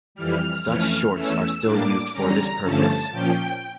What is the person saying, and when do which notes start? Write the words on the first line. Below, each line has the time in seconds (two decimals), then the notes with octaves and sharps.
Such shorts are still used for this purpose.
0.15 F2 E3 G3 F6
0.64 F2 E3 A3 C#4
1.14 E2 E3 A3 C#4 E6
1.63 A2 G3 A#3 D4 D6
2.12 E2 D3 G3 C#4 A#5
2.62 G2 D3 F3 A3 C#4 A5
3.11 A#2 F3 C#4 G5